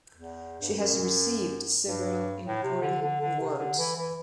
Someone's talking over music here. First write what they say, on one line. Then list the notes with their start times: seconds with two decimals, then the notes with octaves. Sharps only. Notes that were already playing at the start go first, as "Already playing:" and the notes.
She has received several important awards.
0.15 E2
0.61 G2
0.73 F#2
1.87 G2
2.45 A2
2.64 C3
2.82 D3
3.02 D3
3.21 D3
3.40 C3
3.58 D3
3.78 E3
3.96 E3